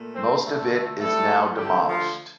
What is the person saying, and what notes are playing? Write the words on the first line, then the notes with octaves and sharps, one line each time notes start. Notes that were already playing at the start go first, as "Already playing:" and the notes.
Most of it is now demolished.
Already playing: A#2 A3
C4 C5
D3 A3
A2 G3 A3 A4
D3 F3 G3 A3 G4
F3 F4